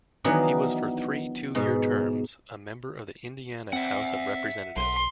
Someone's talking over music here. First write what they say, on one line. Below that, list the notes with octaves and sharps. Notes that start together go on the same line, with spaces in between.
He was for three two-year terms a member of the Indiana House of Representatives.
D#3 E3 F#3 B3 D4 D#4
G#2 B2
C4 E5 F#5
B1 C6